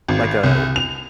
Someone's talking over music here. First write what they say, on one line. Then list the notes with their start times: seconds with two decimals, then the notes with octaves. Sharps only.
like, a
0.09 G#1
0.43 C2
0.76 F7